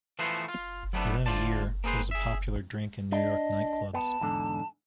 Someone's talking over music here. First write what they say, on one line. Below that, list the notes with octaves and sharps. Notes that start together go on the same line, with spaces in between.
Within a year, it was a popular drink in New York night clubs.
E3 F3 A3 B3 F#4 C5
F4
F#3 G3 A3 B3 C4 D4
D2 D3 F4 C5 D5 A5
A#3 C4 G#4 B4 C5
G#4 E5
D4 D#5
B3 A5
E2 G#2 D3